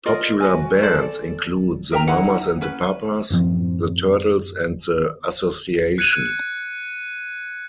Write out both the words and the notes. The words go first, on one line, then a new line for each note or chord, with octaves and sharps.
Popular bands include the Mamas and the Papas, the Turtles, and the Association.
F4 A#4 D5 D#5
F#4 B4 G#5
A4 C5 D5
A#4 E5 G5 A#5
D#4 E4 B4 F#5
C#4 B4
F#2 A2 F3 C4
F#6 G#6 C#7 D#7